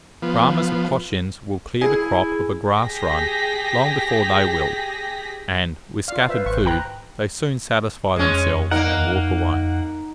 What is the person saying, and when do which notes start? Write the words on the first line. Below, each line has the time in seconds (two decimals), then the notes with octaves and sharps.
Brahmas or Cochins will clear the crop of a grass-run long before they will, and, with scattered food, they soon satisfy themselves and walk away.
0.22 F3 B3
1.81 E4 G#4
2.78 G4 G#4 A#6 B6
6.08 F4 D5 F5
6.29 F4 B4 C5 E5
6.46 G#1 C5 C#6
6.66 G5 A#5 F#6
8.16 F2 G#3 C#4
8.71 A#3 D#4 A#4 F#5